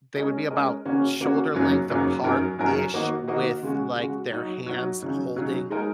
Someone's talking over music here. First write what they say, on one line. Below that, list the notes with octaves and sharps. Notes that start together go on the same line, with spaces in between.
they would be about shoulder length apart-ish with, like, their hands holding,
G#3 C#4 A#4 D#5
G#3 C#4 A#4 D#5
C#3 A#3 C#4 F#4
C#3 A#3 C#4 F#4
F#2 C#3 F#3 A#3 D#4
F#2 C#3 F#3 A#3 D#4
F#2 F#3 D#4 A#4
F#2 F#3 D#4 A#4
D#3 A#3 F#4 D#5
D#3 A#3 F#4 D#5
C#3 G#3 F#4
C#3 G#3 F#4
F#3 D#4 F#4 D#5
F#3 D#4 F#4 D#5
C#3 F#3 D#4
C#3 F#3 D#4
G#3 D#4 A#4